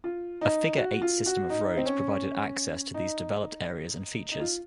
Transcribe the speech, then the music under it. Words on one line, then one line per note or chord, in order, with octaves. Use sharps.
A figure-eight system of roads provided access to these developed areas and features.
F4
D#4
F#4
F4
F#4
D#4
C4
C#4
D#4
D#4
F4